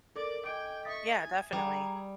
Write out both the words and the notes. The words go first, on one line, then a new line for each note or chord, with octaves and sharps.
Yeah, definitely.
A4 A#4 D5 D6
A4 D#5 G5 G#5 D6 D7
E5 C#6 D#6 A6 B6
G#5
G3 G#4 D5 A#5